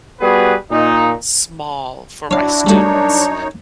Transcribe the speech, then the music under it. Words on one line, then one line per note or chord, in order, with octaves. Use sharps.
small for my students,
G3 B3 F#4 G#4 B4
A#2 D#4
D4 E4 F#4 C#5 F5
F#2 G3 A3 D#4 F#4 C#5